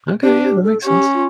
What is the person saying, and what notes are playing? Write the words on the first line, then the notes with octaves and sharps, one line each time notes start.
Okay, yeah that makes sense.
D4 G4
G4
A4
C#4 G4
F4